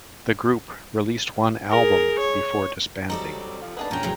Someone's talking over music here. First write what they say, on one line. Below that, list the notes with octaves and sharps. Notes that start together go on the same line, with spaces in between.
The group released one album before disbanding.
G#4 A#4
C#5
F#3 G3 C4 D#4 A4 D5
C3 F3 F4
A#3 B3 D4 D#4 G#4 B4 A5
E2 A#2 C#4 D4 G5 A#5
A2 C3 F#3 G#4 A#4